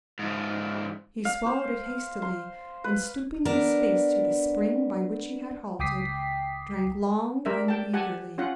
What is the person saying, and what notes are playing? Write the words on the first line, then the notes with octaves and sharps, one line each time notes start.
He swallowed it hastily, and stooping his face to the spring by which he had halted, drank long and eagerly.
G#2 F3
F5
C5
C6
B4
B3 D4 A#4
C#2 G5 D6 D#6 B6 C7
G3 A#4 E5
G5 A5
G4 F#5 G#5 A5
C#4 F4 F#5